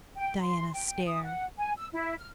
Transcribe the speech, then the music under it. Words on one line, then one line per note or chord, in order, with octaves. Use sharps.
Diana stared.
G5
C6
G5
D#6
F#5
G#5
E6
E4
F6